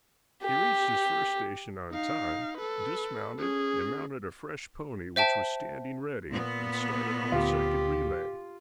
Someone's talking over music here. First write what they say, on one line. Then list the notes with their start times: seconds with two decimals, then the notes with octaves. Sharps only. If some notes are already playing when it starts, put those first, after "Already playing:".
He reached his first station on time, dismounted, and mounted a fresh pony which was standing ready, and started on the second relay.
0.44 G4
1.91 D#4 F5
2.57 A4 B4
3.38 C#4 G#4
5.16 C5 E5 G5 A5
6.31 A#2 B3
7.32 D2 F4 G4